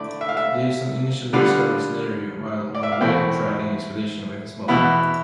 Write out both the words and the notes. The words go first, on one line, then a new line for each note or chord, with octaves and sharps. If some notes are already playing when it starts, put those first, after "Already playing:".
Jason initially discovers Neri while on a whale-tracking expedition with his mother.
Already playing: D3 A3 E4 D5
E5
F5
E5
D3 G3 B3 F4 F5
D5
E5
F5
E2 B2 A3 C4 E4 G5
E2 B2 B3 E4 B5